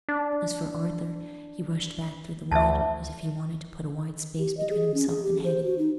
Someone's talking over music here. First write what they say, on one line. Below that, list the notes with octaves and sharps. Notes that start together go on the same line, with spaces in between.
As for Arthur, he rushed back through the wood, as if he wanted to put a wide space between himself and Hetty.
D4
D2 E5 A5
G4
D#5
G#4
C#4
G#4
G4
C5
F#4
D#4